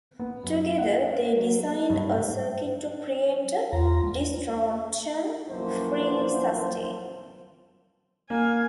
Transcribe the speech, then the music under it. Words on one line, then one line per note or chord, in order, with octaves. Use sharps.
Together they designed a circuit to create a distortion-free sustain.
B3
F#2
F#5
F#3
A4
G2
G#2
E2 F4 A#5
B1 F#2 E3 F3 A#3 C5
A#3 F5 G#5